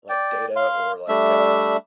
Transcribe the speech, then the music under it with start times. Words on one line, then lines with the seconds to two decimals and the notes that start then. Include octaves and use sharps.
like, data or, like, uh,
0.09 D5 G5
0.56 F5 C6
1.09 G3 A3 D4 E5